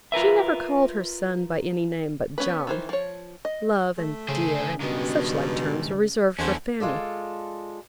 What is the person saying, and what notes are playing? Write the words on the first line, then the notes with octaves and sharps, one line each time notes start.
She never called her son by any name but John; 'love,' and 'dear,' and such like terms, were reserved for Fanny.
F4 A#4 B4 E5
B3 C#4 B4
D#3 E3 C5
F3 C#5
D#5
A3
C#3 G#4 C5
G2 B2 D#3 G#3
E2 D3 C4 C#4 E4 F#4 C5
G#3 F4 A4 D5